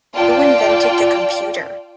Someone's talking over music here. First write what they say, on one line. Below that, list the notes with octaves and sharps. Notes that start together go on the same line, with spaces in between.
Who invented the computer?
F4 D5 G5 A5